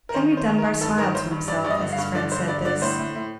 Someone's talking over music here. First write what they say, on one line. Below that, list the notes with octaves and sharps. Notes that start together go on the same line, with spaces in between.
Henry Dunbar smiled to himself as his friend said this.
A#4
D#3 C5
D#3
C5
D#3
A#4
D#3
G2 A4
D#3 A#4
D#3 C5
G2
G2 D5
G2 D5
D#5
D3
F5
G2
D3 D5
D3 C5
G2 D5
D3 D5
A2 C5
A2
A2